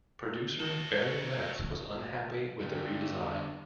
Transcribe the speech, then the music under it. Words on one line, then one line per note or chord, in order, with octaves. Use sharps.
Producer Barry Letts was unhappy with the redesign.
F#4 A4
D3 G3